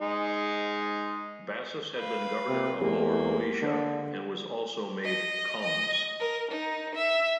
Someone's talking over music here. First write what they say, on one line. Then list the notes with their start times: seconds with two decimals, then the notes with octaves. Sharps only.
Bassus had been Governor of Lower Moesia, and was also made "comes".
0.01 G#3 D#4
1.97 B4 F5
2.48 C3
2.81 E2 G3 G#3 A#3
3.62 D3
5.04 D#5
5.62 D#5
6.20 A#4
6.51 D#4
6.95 E5